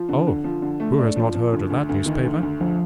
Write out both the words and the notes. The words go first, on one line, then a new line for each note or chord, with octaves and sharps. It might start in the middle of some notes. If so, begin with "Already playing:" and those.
"Oh--who has not heard of that newspaper?"
Already playing: F3
D3
D3
F3
D3
A3
D4
F3
F3
D2
D2
D2
D#3
D2
D2
D2 F3